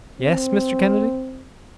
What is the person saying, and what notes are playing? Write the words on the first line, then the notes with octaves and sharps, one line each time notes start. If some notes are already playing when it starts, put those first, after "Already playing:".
"Yes, Mr. Kennedy?"
C4